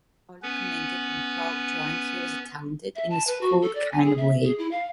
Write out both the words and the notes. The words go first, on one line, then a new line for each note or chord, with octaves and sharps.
McCauley commented when Crowell joined "he was talented in a schooled kind of way".
B3 C#4 B4
E5
A5
B4
F#4
A4
D5
G#5
G#4
E5
G#4
E4
F5